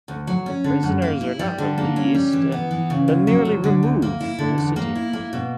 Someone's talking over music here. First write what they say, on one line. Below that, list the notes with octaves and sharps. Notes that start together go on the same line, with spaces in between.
The prisoners are not released, but merely removed from the city.
D2
F#3
C#4
D3
F#2
A#3
E4
G3
D3
A#3
C#4
G3
E3
B3
E3
C#3
D2
F#3
D2
D3
D2
A#3
E4
D3
E2
A#3
E4
A#3
B2